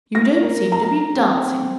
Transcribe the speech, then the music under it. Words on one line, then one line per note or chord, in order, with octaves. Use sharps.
You don't seem to be dancing.
A#6
A#4
A#5
C4